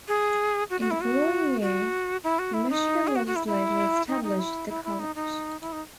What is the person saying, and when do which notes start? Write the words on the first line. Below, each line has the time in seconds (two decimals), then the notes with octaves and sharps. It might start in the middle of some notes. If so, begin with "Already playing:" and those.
In the following year the Michigan Legislature established the college.
0.08 G#4
0.70 F#4
0.81 F#4
0.91 E4
1.01 F#4
1.62 F#4
2.24 E4
2.39 F#4
2.54 E4
2.70 D#4
3.07 G#4
3.16 F#4
3.27 F#4
3.36 E4
3.47 E4
4.08 D#4
4.24 D#4
4.39 E4
4.69 E4
4.84 E4
5.00 D#4
5.15 D#4
5.61 E4
5.72 D#4